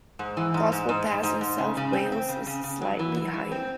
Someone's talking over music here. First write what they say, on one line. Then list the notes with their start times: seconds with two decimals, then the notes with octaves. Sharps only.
Gospel Pass in south Wales is slightly higher.
0.19 G#2
0.37 E3
0.54 G#2
0.72 G#2
0.89 G#2
1.07 G#2
1.23 G#2
1.41 G#2
1.58 C#3
1.77 C#3
1.93 C4
2.12 C4
2.29 C#3
2.47 C#3
2.64 C#3
2.81 F#3
2.99 E3
3.17 E3
3.33 E3
3.52 C4